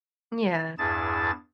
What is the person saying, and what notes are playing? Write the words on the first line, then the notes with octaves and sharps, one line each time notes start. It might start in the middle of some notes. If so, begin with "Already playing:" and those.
Mm, yeah.
E2 G2 E4 G#4 A5 A6